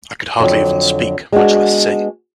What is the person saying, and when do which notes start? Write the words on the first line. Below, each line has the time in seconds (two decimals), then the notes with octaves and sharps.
I could hardly even speak, much less sing.
0.40 F2 D3 F#3
1.32 G#3 B3 D4 F#4